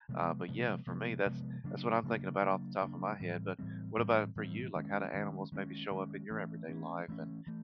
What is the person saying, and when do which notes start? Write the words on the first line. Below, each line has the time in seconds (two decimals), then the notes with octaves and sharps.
Uh, but, yeah, for me, that's that's what I'm thinking about off the top of my head, but, what about for you? Like, how do animals maybe show up in your everyday life and
0.09 C3 F3 G#3 B3
0.48 C3 F3 G#3 B3
0.87 C3 F3 G#3 B3
1.26 C3 F3 G#3 B3
1.64 C#3 F#3 A#3 D4
2.03 C#3 F#3 A#3 D4
2.42 C#3 F#3 A#3 D4
2.82 C#3 F#3 A#3 D4
3.20 A2 E3 G3 C4
3.59 A2 E3 G3 C4
3.97 A2 E3 G3 C4
4.36 A2 E3 G3 C4
4.76 D#3 G#3 C#4
5.14 D#3 G#3 C#4
5.52 D#3 G#3 C#4
5.91 D#3 G#3 C#4
6.31 E3 A3 C#4
6.69 E3 A3 C#4
7.08 E3 A3 C#4
7.47 E3 A3